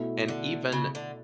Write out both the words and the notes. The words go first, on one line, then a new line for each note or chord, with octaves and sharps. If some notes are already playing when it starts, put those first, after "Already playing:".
and even
Already playing: B2 A3 E4
D3
C#3
D3